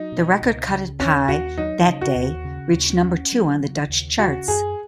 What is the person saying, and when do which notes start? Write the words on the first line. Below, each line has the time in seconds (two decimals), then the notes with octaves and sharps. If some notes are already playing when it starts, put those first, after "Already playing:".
The record cut at Pye, "That Day", reached number two on the Dutch charts.
Already playing: F#3 D#4
0.12 B2
0.42 C#2
0.70 C#3
1.00 D#2 C#4
1.28 D#2 F#4
1.58 F#3 D#4
1.87 C#3
2.01 F#4
2.16 D#2
2.44 C#3
2.74 D#2
3.03 C#4
3.32 F#3
3.60 C#3
3.89 D#2
4.19 C#3 F#4
4.48 F#2 G#4